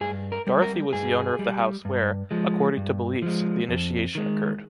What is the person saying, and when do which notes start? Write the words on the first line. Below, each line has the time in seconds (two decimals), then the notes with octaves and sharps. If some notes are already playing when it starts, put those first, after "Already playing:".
Dorothy was the owner of the house where, according to beliefs, the initiation occurred.
0.01 G2 G#4
0.32 A#4
0.47 G3
0.62 A#4
0.93 G2 G#4
1.39 G3
1.85 G2
2.31 F3 G#3
2.77 G2
3.22 F3 G#3
3.69 F2
4.15 D#3 G#3